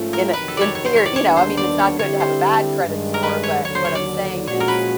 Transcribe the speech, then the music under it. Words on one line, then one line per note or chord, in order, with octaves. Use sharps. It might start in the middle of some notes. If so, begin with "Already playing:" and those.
in in theor you know, I mean, it's not good to have a bad credit score, but what I'm saying is,
Already playing: G#2 F3 A3 C#4 F4
A#4
F2 C3 D#3 F#3 B4
A4
C#5 D5
C#5
C5
C#5
D5
D#2 D3 G3 B3 D4 C#5
C5
D5
C#5
D3 G3 C4 E4 G4 C#5
C5
G2 D#3 G#3
A#4
B4
C#5
D#2 D3 F#3 C#5
C5
C#5
D5
A#2 F3 G#3 C#4 F#4 C#5
A#4
B4